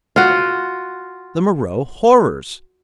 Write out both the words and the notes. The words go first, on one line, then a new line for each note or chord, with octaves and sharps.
"The Moreau Horrors!"
F4 F#4